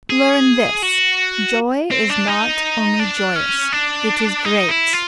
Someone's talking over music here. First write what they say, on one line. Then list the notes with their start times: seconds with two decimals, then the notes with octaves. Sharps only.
Learn this: joy is not only joyous; it is great.
0.10 G#4
0.82 F#4
1.91 C4
2.10 D4
2.27 D#4
2.99 D4
3.36 C#4
3.72 D4
4.45 D#4
4.69 E4
4.93 F4